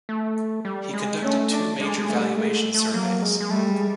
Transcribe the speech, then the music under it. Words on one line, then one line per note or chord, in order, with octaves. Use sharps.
He conducted two major valuation surveys.
A3
G3
G#3
A3 C#4
D4
G#3 D4
G#3
A3
G3
G#3 A3
A3
A3
F#3 A#3
G#3
G#3
G3 A3
G#3